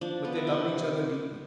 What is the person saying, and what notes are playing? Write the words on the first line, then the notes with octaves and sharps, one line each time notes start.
But they loved each other deeply.
F3 D4
B3
E4
C3